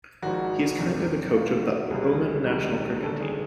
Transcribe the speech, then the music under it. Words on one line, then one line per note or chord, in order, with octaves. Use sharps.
He is currently the coach of the Oman national cricket team.
G#1 G#2 F3 F#4
E2 C3 D#3 F#3
A1 G#2 D#3 F4
F#4
C#2 B2 G3 G#4
A#1 G#2 D#3 G3
G1 G2 D#3 A4
G#4